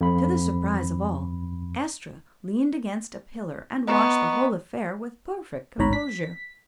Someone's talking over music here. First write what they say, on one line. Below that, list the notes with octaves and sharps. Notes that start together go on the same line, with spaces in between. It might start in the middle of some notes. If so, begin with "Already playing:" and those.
To the surprise of all, Estra leaned against a pillar and watched the whole affair with perfect composure.
F2 B5
B3 D#5 A#5 C#6
A1 D2 G#2 C#5 A#5 B5
B6